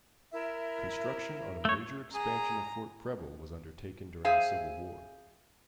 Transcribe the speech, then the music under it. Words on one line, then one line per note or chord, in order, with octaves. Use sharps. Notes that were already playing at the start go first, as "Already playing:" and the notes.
Construction on a major expansion of Fort Preble was undertaken during the Civil War.
E4 A#4 E5
A3 C#5
G#4 A#5
G#4 C5 E5 F5 G#5